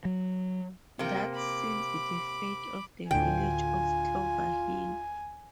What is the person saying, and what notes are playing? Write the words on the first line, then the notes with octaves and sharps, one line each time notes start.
That sealed the fate of the village of Clover Hill.
F#3
C3 A#3 G5
B5 D6
D2 A2 D3 F4 G5 G#5